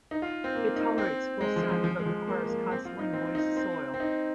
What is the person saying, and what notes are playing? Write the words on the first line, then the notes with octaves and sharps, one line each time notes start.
It tolerates full sun, but requires constantly moist soil.
D#4
F4
C4
A#3
D#4
C4
G#3
F3
F3
F3
G#3
F3
A#3
A#3
C4
F4
D#4
C4
D#4
C4
C4
D#4